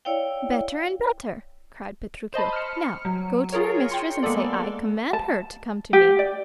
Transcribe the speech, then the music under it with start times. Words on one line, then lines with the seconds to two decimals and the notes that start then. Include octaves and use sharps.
"Better and better," cried Petruchio; "now go to your mistress and say I command her to come to me."
0.05 E4 C#5 D5 F5 G5
2.34 C5 D#5 A5 B5
2.53 F6 C#7
3.05 F#3
3.52 F4 G#4 A#4 C#5
3.90 G5 C6 C#7
4.23 G#3 A#3 B3 A4 D5
5.13 A5
5.93 G4
6.19 D5